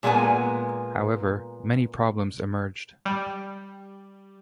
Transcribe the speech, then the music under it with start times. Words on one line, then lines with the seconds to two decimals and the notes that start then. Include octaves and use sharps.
However, many problems emerged.
0.03 A#2 G#3 A#3 B3 G#5
3.06 G3